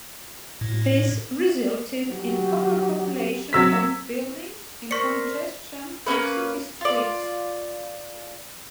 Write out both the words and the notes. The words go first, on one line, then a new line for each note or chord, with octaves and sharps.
This resulted in overpopulation of the buildings, and congestion of city streets.
A2
F#3 G4
F#3 C4 E6 B6
A#4 C5 D5 C#6 B6 C#7
A#3 B3 C#4 B4
F4 D5